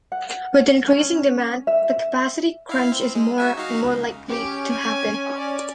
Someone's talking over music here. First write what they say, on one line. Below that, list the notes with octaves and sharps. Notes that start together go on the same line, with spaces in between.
With increasing demand, the capacity crunch is more and more likely to happen.
F#5
C#4
E5
E4 F5
C4
G#3
F#4 E5 G#5
D#4 F#4 F5
C#2
C#4 G4 G5
G#5
D5